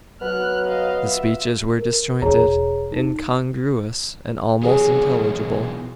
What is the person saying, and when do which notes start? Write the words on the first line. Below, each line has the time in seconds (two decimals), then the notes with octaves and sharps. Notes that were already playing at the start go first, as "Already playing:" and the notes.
The speeches were disjointed--incongruous, and almost unintelligible.
0.22 F#3 B3 F6 F#6
0.67 D#5 F5
1.05 F4 F#4 E5
1.79 A#4
2.22 E1 G#4 C#5 A#5
2.92 D#4
4.63 B2 E3 F#3 G#4